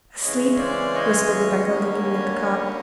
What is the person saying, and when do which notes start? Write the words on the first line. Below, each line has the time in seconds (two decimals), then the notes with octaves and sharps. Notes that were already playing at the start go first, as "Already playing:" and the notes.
"Asleep?" whispered Rebecca, looking at the cot.
0.23 C#3 E3 G#3 C#4 C#5 D#5
0.58 C5 D5
0.94 C#5 D#5
1.66 D#2 D3 G3 A#3 C#4